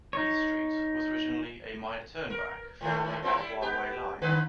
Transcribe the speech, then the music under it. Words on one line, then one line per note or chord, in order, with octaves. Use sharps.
Heath Street was originally a minor turnback for the Arborway Line.
D#4 C#5
A#4
G#2 D#3 A3
A2 C4 E4
G3 E4
B3 G4
D3 D#4 B4